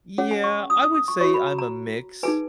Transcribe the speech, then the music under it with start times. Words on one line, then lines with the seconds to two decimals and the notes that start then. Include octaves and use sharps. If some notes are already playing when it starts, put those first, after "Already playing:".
Yeah, I would say I'm a mix.
0.18 C#4 G#4 C#5 F#5
0.31 G#5
0.44 C#6
0.70 D#6
0.82 D#6
0.95 D#6
1.08 C#6
1.21 F#4 C#5 C#6
1.34 B5
1.47 A#5
1.59 A#5
2.23 D#4 G#4 B4 G#5